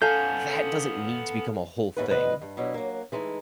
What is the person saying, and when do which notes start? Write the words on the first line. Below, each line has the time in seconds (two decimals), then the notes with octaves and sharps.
That doesn't need to become a whole thing.
0.02 B3 C#4 A4 F5 G#5 A5 G6
1.97 D#2 G#2 E3 B3 B4
2.09 B2 D3 F3 B4 D5 D#5
2.41 G2
2.57 B2 F#3 D4 E4
2.74 F#3 A#3
3.12 E3 G#3 A3 D#4